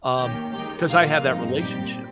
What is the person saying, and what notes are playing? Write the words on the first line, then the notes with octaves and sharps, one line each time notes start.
um, 'cause I have that relationship.
D#3 A#3 C#4 G4 G5
D#3 G#3 D#4 G4 G5
A#2 F3 A#3 F4 F5
G2 F3 G#3 C4 D#4
A#2 G3 C4 G4 G5